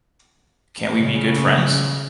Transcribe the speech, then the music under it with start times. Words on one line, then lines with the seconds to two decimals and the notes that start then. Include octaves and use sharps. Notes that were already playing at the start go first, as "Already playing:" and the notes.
Can’t we be good friends?
0.95 C#3